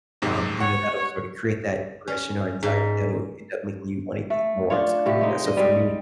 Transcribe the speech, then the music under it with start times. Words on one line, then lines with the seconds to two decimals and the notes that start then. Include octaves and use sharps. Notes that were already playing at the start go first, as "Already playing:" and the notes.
um, you know, that'll sorta create that depression or anxiety that'll end up making you wanna eat more and stuff like that. So, for me,
0.22 D#2 G#2 C3
0.60 C#5 F#5
2.08 C#4
2.63 G#2
4.30 A3
4.70 D4 F4 C#5
5.06 A2 C3 A3 G4
5.21 G#3 D#4
5.44 D4 D#5
5.57 G3 C4 G4 G#4